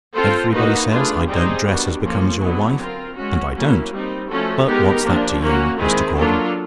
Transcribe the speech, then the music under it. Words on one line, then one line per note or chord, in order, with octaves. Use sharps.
Everybody says I don't dress as becomes your wife-- and I don't; but what's that to you, Mr. Caudle?
C4 F4 A4 C5
A#3 D#4 F#4 B4
A3 D4 F4 G#4 B4
G3 C4 D#4 G#4 C5
D#3 G3 B3 D4 F#4
F3 A#3 C#4 F4 A4
D3 F#3 B3 E4 G#4
C4 F4 A#4
G#3 C#4 F#4
F#3 A#3 C#4 E4
G3 C4 D#4
F3 A3 C#4 F#4 A4
G#3 B3 D#4 G4 A#4
F3 A#3 D4
A#3 C#4 F#4
D#3 G#3 C4 E4 G#4
F#3 A#3 D4 F4 A4